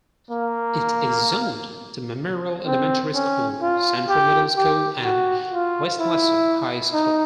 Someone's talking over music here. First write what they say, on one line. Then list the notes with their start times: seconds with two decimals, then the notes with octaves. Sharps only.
It is zoned to Memorial Elementary School, Central Middle School, and Weslaco High School.
0.31 A#3
2.67 C4
3.15 C#4
3.62 F4
4.09 G4
4.57 G4
5.04 F#4
5.52 F4
6.00 E4
6.94 D#4